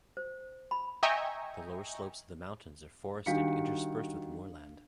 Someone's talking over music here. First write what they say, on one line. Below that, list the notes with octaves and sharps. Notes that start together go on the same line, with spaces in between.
The lower slopes of the mountains are forested interspersed with moorland.
C5
B5
D#5 E5 G5 G#5 A#5 C#6
D#3 G3 D4 F#4 F5 C#7